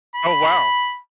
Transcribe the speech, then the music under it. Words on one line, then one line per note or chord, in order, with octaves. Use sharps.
Oh, wow.
B5